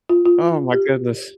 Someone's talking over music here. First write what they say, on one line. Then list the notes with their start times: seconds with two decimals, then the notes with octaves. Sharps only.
Oh my goodness.
0.10 F4
0.26 F4
0.73 G4